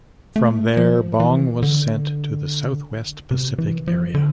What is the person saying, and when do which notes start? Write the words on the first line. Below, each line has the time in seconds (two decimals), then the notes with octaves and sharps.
From there, Bong was sent to the Southwest Pacific Area.
0.36 A3
0.77 F3
1.20 E3
1.62 D3
3.31 C3
3.58 E3
3.88 F3
4.14 D3